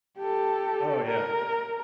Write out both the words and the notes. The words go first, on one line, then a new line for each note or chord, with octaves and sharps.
Oh, yeah.
G4 A4
A#4